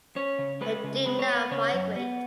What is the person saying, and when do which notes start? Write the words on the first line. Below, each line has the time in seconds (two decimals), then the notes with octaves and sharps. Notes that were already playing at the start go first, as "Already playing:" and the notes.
They do not migrate.
0.16 C#4 C#5
0.39 C#3
0.61 G#3 B4
0.84 C#3
1.06 G#3 B4
1.19 C#5
1.28 B3 B4
1.51 C#3 C#5
1.74 F#2
1.96 B3